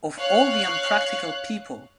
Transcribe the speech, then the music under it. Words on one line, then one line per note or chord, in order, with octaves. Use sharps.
Of all the unpractical people!
C#5 F5 F#6